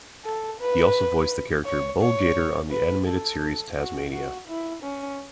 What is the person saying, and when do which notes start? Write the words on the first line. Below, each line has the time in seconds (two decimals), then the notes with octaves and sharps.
He also voiced the character Bull Gator on the animated series "Taz-Mania".
0.25 A4
0.60 B4
1.65 C#5
2.01 C#5
2.71 B4
3.07 A4
3.77 F#4
4.13 F#4
4.48 E4
4.83 C#4